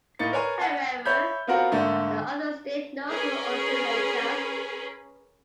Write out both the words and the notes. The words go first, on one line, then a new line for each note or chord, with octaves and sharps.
However, the others didn't know her until later.
A2 A#3 D#4 A6 C#7
A#4 B4 C#5 G#5 C6
F#5 G#5 A5
C#5 E5 B5 G6
B3 C4 F4 F#4 A#4 F#5
G#2 D3 A3 A#3
C#4 G#4 A#4 B4